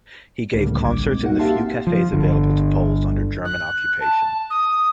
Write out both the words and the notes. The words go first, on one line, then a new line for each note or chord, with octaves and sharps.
He gave concerts in the few cafes available to Poles under German occupation.
C#2 A2 D3 G3 A#3
A1 D6 G#6
G#2 B2 C4
A#3 D#4 F#4 F#5
G4 E5 F5 A5 C6
F3
G1 D3
F#6
A5
D#6